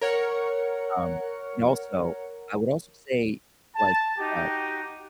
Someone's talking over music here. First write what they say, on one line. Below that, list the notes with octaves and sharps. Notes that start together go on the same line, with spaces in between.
Um, but also I would also say, like, uh,
A#4 C#5 F#5 C#7
A5
D#4 F#4 G4